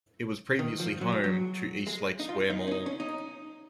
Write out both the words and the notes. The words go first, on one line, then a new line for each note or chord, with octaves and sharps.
It was previously home to East Lake Square Mall.
D#3
F3
F#3
G#3
F#3
G#3
D#4
F4
D#4
C#4
D#4
C#4
D#4